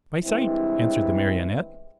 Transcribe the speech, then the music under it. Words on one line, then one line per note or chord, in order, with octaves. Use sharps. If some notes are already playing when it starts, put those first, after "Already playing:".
"By sight!" answered the Marionette.
G2 E3 G#3 C4 E4